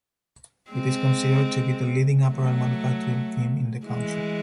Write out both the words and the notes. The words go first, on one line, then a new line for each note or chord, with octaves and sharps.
It is considered to be the leading apparel manufacturing firm in the country.
G#3 C4
F#3 A3
E3 G#3